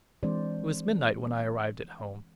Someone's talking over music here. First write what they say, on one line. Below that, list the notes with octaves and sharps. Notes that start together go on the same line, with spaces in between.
It was midnight when I arrived at home.
E3 G#3 C4 D4 C5 D5